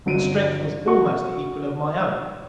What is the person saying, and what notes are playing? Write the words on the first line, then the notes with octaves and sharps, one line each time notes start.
Her strength was almost the equal of my own.
G1 F#3 D7 D#7
F#4 C#6